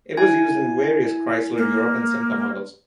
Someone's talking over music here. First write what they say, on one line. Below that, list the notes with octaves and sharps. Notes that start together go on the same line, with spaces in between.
It was used in various Chrysler Europe and Simca models.
E4 G#5 G#6
A#3